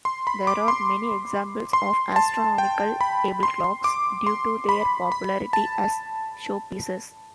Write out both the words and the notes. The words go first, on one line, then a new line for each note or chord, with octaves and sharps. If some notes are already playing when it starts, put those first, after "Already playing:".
There are many examples of astronomical table clocks, due to their popularity as showpieces.
C6
B5
D6
C6
C6
A5
G5
B5
C6
D6
C6
B5
B5
A5